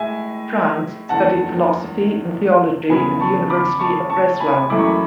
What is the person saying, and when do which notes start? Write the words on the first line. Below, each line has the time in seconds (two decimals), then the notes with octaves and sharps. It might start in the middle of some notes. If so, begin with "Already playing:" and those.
Franz studied philosophy and theology at the University of Breslau.
Already playing: A2 G#3 E5 G#5
1.09 F#1 E2 D3 F#5 A5
2.89 E2 C#3 E3 B3 G#5 B5
3.20 A5 C#6
3.50 B5 D6
3.80 A5 C#6
4.10 A5 C#6
4.40 G#5 B5
4.70 F#1 F#2 E3 A3 E4 D6
4.79 C#6
4.87 B5